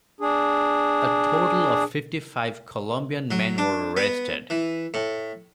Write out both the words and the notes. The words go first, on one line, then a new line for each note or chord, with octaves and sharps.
A total of fifty-five Colombian men were arrested.
D4 G#4
F#3
D4
B3
E3
A2